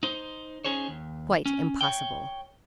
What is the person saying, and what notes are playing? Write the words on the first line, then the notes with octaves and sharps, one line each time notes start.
Quite impossible!
D#4 C5
C#4 D#4 G#4 C5 C#5
D#2
C#4
C#5 G5